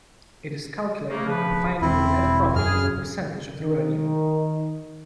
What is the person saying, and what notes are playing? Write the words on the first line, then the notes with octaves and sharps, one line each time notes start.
It is calculated by finding the net profit as a percentage of the revenue.
C#3 A3 A#3
C#3 F3 B4
E1 C4 E4
F#2 G#4 F6
D#3